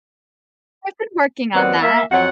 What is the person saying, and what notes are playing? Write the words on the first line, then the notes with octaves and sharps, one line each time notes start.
I've been working on that.
D#2 B3 C4 D5 F#5
A#3 E5
F2 F#3 F#5